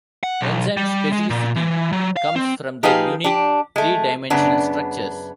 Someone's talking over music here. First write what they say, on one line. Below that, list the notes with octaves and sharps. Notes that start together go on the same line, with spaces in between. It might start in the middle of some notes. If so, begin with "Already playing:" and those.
Enzymes' specificity comes from their unique three-dimensional structures.
F#5
B1
G3
G#3
A#2
E3
F#3
F5
C4
F3 D#4 G4 G#4 B4 F5
D4 G4
G#3 A3
F#2 C#3 B3 D4